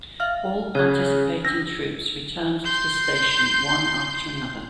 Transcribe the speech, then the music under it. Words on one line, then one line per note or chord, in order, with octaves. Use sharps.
All participating troops returned to the station one after another.
E5 F5 F6
C#3 C#5 F#6 G#6
D4 E6 A#6
C6 G6